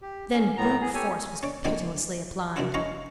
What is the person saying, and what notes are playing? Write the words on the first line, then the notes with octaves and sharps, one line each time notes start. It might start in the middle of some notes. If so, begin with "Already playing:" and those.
Then brute force was pitilessly applied.
G4
C#4
A2 B3 A#5
G#4
G4 A4 C#5 G#5
C#4 D5
A#2 D3 F3 G#3 A#3 C4
F#2 C3 F3 D4 E4 F4
C#4 E4 C#5 D#5 F5 A#5